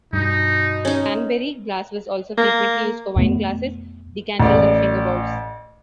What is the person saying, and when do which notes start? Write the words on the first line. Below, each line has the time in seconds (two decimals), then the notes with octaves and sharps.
Cranberry glass was also frequently used for wine glasses, decanters, and finger bowls.
0.13 G2 B2 D#4
0.85 C#4 D#4
2.38 A#3
3.16 F2 B2 A3 B3
4.40 A1 D5